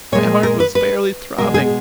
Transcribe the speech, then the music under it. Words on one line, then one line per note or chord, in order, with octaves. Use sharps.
My heart was fairly throbbing.
A#2 G#3 C#5
A#4
B4
B4
B2 G#3 A#4
G#4